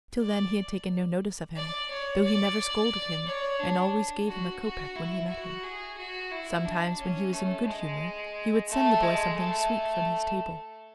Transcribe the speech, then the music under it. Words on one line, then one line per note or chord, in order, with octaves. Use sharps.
Till then he had taken no notice of him, though he never scolded him, and always gave him a copeck when he met him. Sometimes, when he was in good humor, he would send the boy something sweet from his table.
D5
D5
C#5
D5
C#5
D4
F#4
F#4
E4
F#4
G#4
F#4
E4
D4
C#4
A3
G#3
A3
G#3
A3